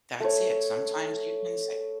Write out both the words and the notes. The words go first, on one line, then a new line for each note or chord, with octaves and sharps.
That's it, sometimes you can say
A3 C#5